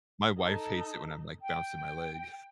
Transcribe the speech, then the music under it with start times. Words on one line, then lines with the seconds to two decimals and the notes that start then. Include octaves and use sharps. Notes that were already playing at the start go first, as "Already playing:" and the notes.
my wife hates it when I'm, like, bouncing my leg.
0.37 D#4 A4
1.42 G5